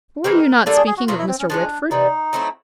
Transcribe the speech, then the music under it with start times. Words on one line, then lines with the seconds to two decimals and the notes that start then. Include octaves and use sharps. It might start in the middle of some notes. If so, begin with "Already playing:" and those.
"Were you not speaking of Mr. Whitford?"
0.24 E3 G#3 C4 A#4
0.66 G3 A#3 D4 F4 A4
0.76 G#4
0.87 G#4
0.97 F#4
1.08 B2 F#3 A3 F4
1.18 E4
1.28 C4
1.39 C#4
1.49 F3 G#3 C#4 D4
1.91 C3 E3 G3 D#4
2.33 F#3 A3 C4 E4